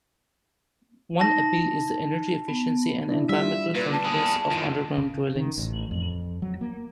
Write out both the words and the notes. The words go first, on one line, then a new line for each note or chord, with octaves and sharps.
One appeal is the energy efficiency and environmental friendliness of underground dwellings.
D#4 A5 A#6
B3
D4 E4
G3 F4 E5
A#2 B4
A5
B3 G#4
E2 D#3 F4
C#3
D#3
A1
F2
F#3
A#3